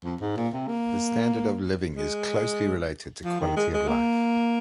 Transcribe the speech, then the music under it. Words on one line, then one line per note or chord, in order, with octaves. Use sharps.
The standard of living is closely related to quality of life.
F2
G#2
A#2
C3
A#3
G#3
F3
D#3
G#3
G#3
A#3